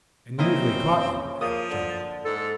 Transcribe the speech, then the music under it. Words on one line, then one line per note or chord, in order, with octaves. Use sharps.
"And usually caught you," added Chunky.
C#3 A#3 C4 E4 D#5
F3 A#3 D#6
D3
G#2 A4